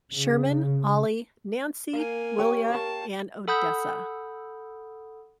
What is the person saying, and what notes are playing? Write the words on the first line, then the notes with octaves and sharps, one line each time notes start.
Sherman, Ollie, Nancy, Willia and Odessa.
C#3
A#3 F5 G#5
G4 C#5 G5
A#4 F5 A5 C#6
A4 F#5 B5 D#6 E6 G6